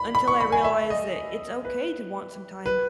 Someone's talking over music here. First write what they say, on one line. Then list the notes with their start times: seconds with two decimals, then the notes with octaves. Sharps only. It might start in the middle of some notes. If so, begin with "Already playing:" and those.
until I realize that it's okay to want some time
Already playing: B5
0.15 B5
0.28 C#6
0.40 B5
0.52 G#5
0.64 E5
0.90 D#5
1.65 B4
2.66 B4